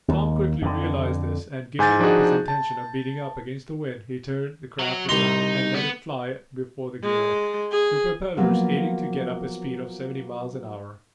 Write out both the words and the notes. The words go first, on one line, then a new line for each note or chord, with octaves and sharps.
Tom quickly realized this, and, giving up his intention of beating up against the wind, he turned the craft around, and let it fly before the gale, the propellers aiding to get up a speed of seventy miles an hour.
D#2
F2 D3
G#2 G#5 G6 A6
F3 D4 D#4 F#4 G#4
A5
F#3
C2 D#4 C6
B3
G#3
G#4
F3 F#3 A#3 B3 F4